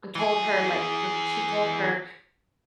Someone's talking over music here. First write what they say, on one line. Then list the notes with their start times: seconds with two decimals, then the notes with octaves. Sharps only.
uh, told her, like, that she told her,
0.15 E3 G#4